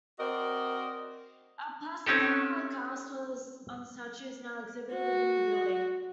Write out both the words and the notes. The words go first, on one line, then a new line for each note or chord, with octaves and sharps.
A plaster cast of the statue is now exhibited within the building.
C4 F#4 A#4 D5 D#5
C4 C#4 D#4 G4 A4
F#4